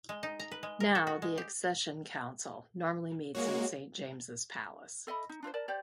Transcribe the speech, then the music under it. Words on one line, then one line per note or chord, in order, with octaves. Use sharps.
Now, the Accession Council normally meets in Saint James's Palace.
G#3
D#4
A#5
B4
G#3
A#4
A4
F#4
G#3
G4
G#3 A#3 F#4 C#5
A4 D#5 E5 B5
D#4
D4 F4 A#4 C5
A#4 D5 A5
G4 C5 D5